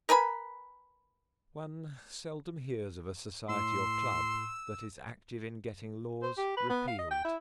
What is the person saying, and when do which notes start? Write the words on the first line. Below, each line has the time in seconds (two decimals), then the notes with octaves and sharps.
One seldom hears of a society or club that is active in getting laws repealed.
0.09 A#4 B4 G#5 B5
3.49 A2 C6 E6
6.23 C5
6.38 G4
6.57 B4
6.70 B3
6.88 F5
6.99 D#5
7.11 G5
7.25 E4